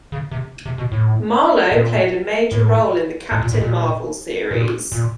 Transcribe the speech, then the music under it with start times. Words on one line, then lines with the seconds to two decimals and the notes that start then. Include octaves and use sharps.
Marlo played a major role in the "Captain Marvel" series.
0.12 C#3
0.31 C3
0.66 C3
0.78 B2
0.92 A2
1.72 A#2
2.51 A2
3.32 A2
3.42 A#2
3.52 A2
3.61 A#2
4.51 A#2
4.92 A#2